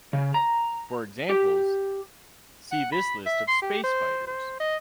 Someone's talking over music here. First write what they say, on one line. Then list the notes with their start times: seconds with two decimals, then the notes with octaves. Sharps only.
For examples, see this list of space fighters.
0.13 C#3
0.34 A#5
1.30 G4
2.71 F#5
2.92 B5
3.26 E5
3.48 C6
3.62 G4
3.84 C5
4.27 C5
4.60 D#5